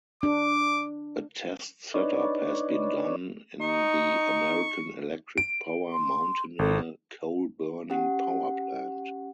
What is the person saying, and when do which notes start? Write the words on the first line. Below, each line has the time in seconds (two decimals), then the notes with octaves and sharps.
A test-setup has been done in the American Electric Power Mountaineer coal-burning power plant.
0.23 D4 D6
1.94 D4 D#4 B4 C#5 D5
3.61 D#4 C#6
5.38 D7
5.93 C6
6.59 G#1 A4
7.90 C#4 G4 F#5